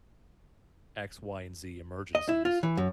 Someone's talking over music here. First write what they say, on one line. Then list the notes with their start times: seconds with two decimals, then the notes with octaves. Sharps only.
x, y, and z emergencies.
2.15 D#5
2.29 E4
2.45 F4
2.63 E3
2.77 F#2